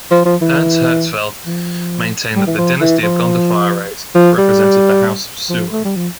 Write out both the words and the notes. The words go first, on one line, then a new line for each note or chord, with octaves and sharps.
Ernst Herzfeld maintained that the dynasty of Gondophares represented the House of Suren.
F3
F3
E3
F3
G3
E3
F3
E3
F3
F3
G3
F3
A3
G3
F3